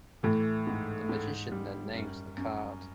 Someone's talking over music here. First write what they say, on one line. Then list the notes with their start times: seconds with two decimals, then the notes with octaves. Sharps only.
The magician then names the card.
0.23 A2 E3
0.67 G#2
1.09 G#2
1.52 G3
1.94 F#2
2.37 F#2